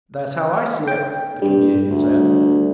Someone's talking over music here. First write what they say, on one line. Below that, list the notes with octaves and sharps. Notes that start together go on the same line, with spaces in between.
"That's how I see it," the Canadian said.
G5
G2 G3
D2